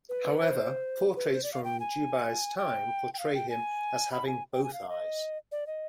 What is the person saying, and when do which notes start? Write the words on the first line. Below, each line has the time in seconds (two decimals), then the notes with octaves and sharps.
However, portraits from Jubei's time portray him as having both eyes.
0.09 B4
0.40 C5
1.17 B4
1.33 C5
1.43 D5
1.53 F5
1.64 G5
1.80 G#5
2.57 G5
3.14 G5
3.19 F5
3.34 G5
3.50 G#5
4.12 B5
4.27 G#5
4.53 G5
4.64 G#5
4.73 F5
4.89 D#5
5.52 D5
5.67 D#5